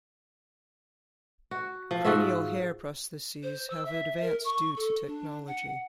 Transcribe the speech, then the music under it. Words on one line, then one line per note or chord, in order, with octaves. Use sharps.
Cranial hair prostheses have advanced due to technology.
F#4
F3
G#2 F4 F#4 E5
C5
E6
E5
A#4
C#6
A4
D4
F#5